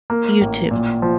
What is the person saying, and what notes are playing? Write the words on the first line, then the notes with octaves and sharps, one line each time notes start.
You too.
A#3
A1
A#2
F3